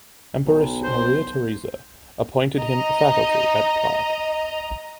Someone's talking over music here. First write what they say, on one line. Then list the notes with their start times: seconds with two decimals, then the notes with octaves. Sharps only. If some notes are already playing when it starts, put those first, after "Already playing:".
Empress Maria Theresa appointed him faculty at Prague.
0.46 B1
0.83 C5
2.57 D#5 A#5